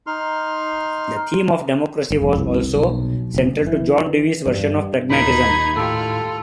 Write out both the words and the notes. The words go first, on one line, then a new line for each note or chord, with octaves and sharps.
The theme of democracy was also central to John Dewey's version of pragmatism.
D#4 C6 F6
G1
F1
C2
B1
F#1
E3
G2
D#2 A#2 D#4 A#4 B5 G#6
A2 F4 G4 A4